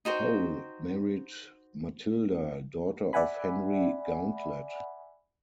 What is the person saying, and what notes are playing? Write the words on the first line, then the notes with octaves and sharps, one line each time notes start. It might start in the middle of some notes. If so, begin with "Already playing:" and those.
Pole married Matilda, daughter of Henry Gauntlett.
D#4 F#4 C5 G5
D5 E5 F#5 G#5 B5